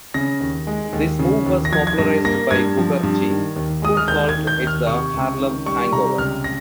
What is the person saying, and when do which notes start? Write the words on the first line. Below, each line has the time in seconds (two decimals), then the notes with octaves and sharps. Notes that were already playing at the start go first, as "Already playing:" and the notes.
This move was popularized by Booker T, who called it the "Harlem Hangover".
0.14 C#3 A#6
0.41 D#2
0.67 G#3
0.93 D#2
1.19 C#3
1.46 D#2
1.65 A#6
1.72 F3 G#6
1.87 G#6
1.98 G2 A#6
2.25 A#3 A#6
2.51 G2 G#6
2.77 F3
3.03 G2
3.30 D#3
3.56 D#2
3.82 G#3 D#6
3.97 F6
4.08 D#2 G6
4.29 G#6
4.34 D#3
4.47 G6
4.61 D#2
4.67 F6
4.87 C3 C#6
5.14 C#2
5.40 D#3
5.66 G3 C#6
5.92 C3 A#5
6.18 C#2 F6
6.44 A#6